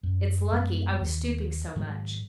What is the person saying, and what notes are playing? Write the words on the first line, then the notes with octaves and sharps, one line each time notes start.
It's lucky I was stooping so much.
F#2
F#2 G#3 B3
D#2
G#2 D#3 F#3 G#3